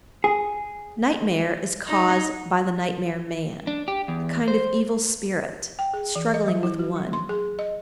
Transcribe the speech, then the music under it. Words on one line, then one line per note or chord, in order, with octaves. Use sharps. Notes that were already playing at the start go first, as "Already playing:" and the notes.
Nightmare is caused by the nightmare man, a kind of evil spirit, struggling with one.
G#4
D#4
D4
G4
E2
C5
G5
G#4
E3
D#5
F#3
E4
F#4
F#3
C6
G#4
D#5